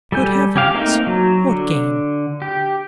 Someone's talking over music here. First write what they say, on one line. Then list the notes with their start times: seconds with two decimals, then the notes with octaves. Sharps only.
"Good heavens--what game?"
0.12 G3 A4 G#5 G6
0.56 C#4 G4 F5
0.74 A3 A#3 C4 D#4 A#4
1.07 F#3
1.48 D3
2.42 G4